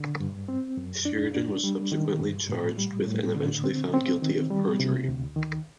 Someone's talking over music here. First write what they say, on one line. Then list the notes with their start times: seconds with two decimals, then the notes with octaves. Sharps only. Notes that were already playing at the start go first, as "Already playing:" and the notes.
Sheridan was subsequently charged with and eventually found guilty of perjury.
Already playing: D3
0.20 G2
0.48 C4
0.77 F#2
1.05 D4
1.34 D4
1.64 G3
1.92 D#3
2.21 G2
2.49 A2
2.78 G3
3.06 A2
3.36 D3
3.64 C4
3.94 C4
4.23 D#3
4.50 G3
4.80 C3
5.08 D2
5.36 D#3